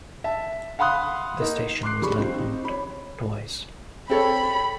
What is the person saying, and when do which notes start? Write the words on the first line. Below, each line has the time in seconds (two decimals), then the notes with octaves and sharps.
The station was lengthened twice.
0.24 E5 A5
0.79 F5 F#5 B5 C6 D#6 F#6
1.40 A#3 D#4
1.83 C6 D6 F#6 C7
2.02 F1 G3 G#4 B5 C#6
2.18 C4 D#4 F4 G4 C5
2.34 C4 D#4
2.65 C#5 B5
4.10 C4 A4 C#5 B5